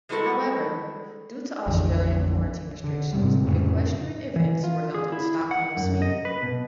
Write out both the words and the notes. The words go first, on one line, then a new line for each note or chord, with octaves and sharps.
However, due to Australian quarantine restrictions the equestrian events were held in Stockholm, Sweden.
G3 G#3 E4 F#4 A4 A#4
A#1 F2 D3 E3
D3
G#2 C3 G3
F2 A2 C#3
E3
F4
G#4
E4
F#5
F#2
D#5
B4
B2